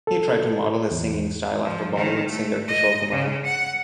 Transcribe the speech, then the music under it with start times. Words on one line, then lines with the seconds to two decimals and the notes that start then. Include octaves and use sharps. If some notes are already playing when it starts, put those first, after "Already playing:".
He tried to model his singing style after Bollywood singer Kishore Kumar.
0.07 A4
0.91 E2
1.65 F3
1.93 D#3
2.30 A3
2.68 D#5
3.10 C#3
3.45 F#5